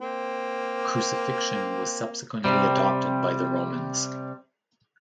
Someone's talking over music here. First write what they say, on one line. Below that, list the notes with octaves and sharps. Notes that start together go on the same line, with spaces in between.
Crucifixion was subsequently adopted by the Romans.
A#3 C4
C3 G3